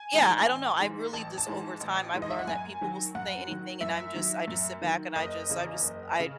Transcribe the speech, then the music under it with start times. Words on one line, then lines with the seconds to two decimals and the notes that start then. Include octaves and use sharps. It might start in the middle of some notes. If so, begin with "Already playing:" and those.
yeah, I don't know, I really just over time, I've learned that people will say anything, and I'm just I just sit back, and I just I just I
Already playing: G#5
0.14 G#2 E3 G#3
0.47 A1
0.80 G#2 E3 G#3
1.13 A1 A5
1.38 A5
1.47 G#2 E3 G#3
1.80 A1
2.13 G#2 E3 G#3
2.22 D#5
2.30 E5
2.39 F#5
2.47 F#2 G#5
2.81 D#3 F#3
3.15 F#2 F#5
3.48 D#3 F#3
3.81 F#2 E5
4.14 D#3 F#3
4.48 F#2
4.81 D#3 F#3
5.15 F#1 D#5
5.49 E2 C#3
5.82 F#1
6.20 C#3